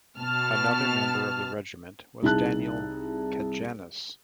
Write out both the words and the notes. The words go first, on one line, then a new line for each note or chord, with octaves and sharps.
Another member of the regiment was Daniel Cajanus.
B2 A5 F6
C2 D#4 E4 G#4 A5 F#6